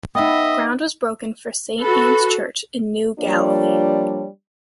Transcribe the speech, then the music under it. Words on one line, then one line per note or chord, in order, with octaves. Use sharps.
Ground was broken for Saint Ann's Church in New Galilee.
B3 D#4 D#5 E5 G5 D#6
F#4 A4 B4
F3 G3 A#3 D4 F4 C#5